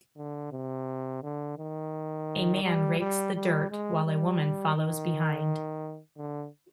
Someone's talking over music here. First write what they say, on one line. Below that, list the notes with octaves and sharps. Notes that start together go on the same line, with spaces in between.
A man rakes the dirt while a woman follows behind.
D3
C3
D3
D#3
G3
G3
G3
G#3
G3
D#3
D3